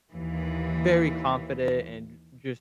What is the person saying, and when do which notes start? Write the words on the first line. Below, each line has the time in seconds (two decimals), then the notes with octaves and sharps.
very confident and j just
0.12 D#2 E3